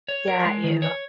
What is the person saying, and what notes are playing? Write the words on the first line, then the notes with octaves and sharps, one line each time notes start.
Got you.
C#5
A#4
G#3
D#3
C#5